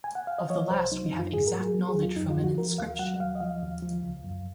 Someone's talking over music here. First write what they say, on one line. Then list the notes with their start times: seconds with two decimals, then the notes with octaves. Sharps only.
Of the last we have exact knowledge from an inscription.
0.04 G#5
0.15 F#5
0.27 F5
0.38 D#5
0.50 F3 C#5
0.71 C2 C5
0.92 F#3 D#4
1.06 D#4
1.13 F#2
1.19 F4
1.33 G#2 G#4
1.47 A#4
1.54 F#3
1.61 G#4
1.74 F#3
1.89 G#4
1.96 D#2
2.02 F4
2.16 F#2 D#4
2.30 F4
2.37 F3
2.44 F#4
2.57 F3 A#4
2.78 D#2 F5
2.99 F#3 F#5
3.20 D#2 F5
3.35 D#5
3.40 F3 F5
3.62 D#2
3.82 F3
4.03 C#2
4.24 F#2